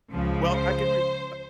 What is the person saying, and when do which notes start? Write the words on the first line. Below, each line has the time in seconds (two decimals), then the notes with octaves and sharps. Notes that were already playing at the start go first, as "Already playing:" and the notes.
Well, I can re uh
0.11 C#2 C#3 F3
0.51 C5